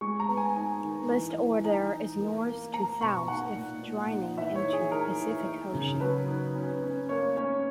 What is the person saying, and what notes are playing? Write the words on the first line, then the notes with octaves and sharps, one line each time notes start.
List order is north to south if draining into the Pacific Ocean.
G#3 C#6
A#5
B3
G#5
D#4 G#5
D#3
E3
E3
D#4 A#5
E3
A#3
A#3
A#3 A#5
B2 C#6
D#4 F#5
A#2
A#2
D#4
E3 E5
C#5
D#4
G#4
D#4 A#4
E3
D#4
C#3
F#3 B4
D#4
C#4
C#4
A#3 C#5
C#4 C#5